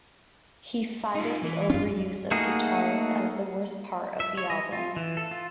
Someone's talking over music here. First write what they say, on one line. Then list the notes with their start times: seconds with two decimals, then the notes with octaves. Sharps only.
He cited the overuse of guitars as the worst part of the album.
1.15 D#4 F4
1.43 E3
1.70 G2 C#4 F4
2.31 A3 A#3 D#4 F#4 G#4
4.20 E5
4.37 C#5
4.50 D#5
4.72 F4
4.96 E3
5.17 A4
5.31 F4